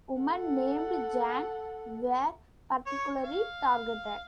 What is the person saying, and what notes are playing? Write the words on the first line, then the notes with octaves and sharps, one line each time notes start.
Women named Jan were particularly targeted.
A4 F#5
C#5
F5